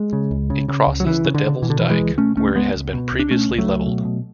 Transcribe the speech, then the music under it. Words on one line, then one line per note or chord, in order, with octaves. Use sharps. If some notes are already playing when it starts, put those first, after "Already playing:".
It crosses the Devil's Dyke where it has been previously levelled.
Already playing: G#3
C#3
C#2
C#3
C#3
C#2
F#3
C#3 E3
C#3
D3
C#3
B2 E3
D3
B2 E3
E3 G#3
C#2
B2 A3 C#4
C#2 A3 C#4
C#2 G#3 B3
C#2
B2
C#2
D4
B2 A3 C#4
C#2
F#3 A3
C#2
B2
B2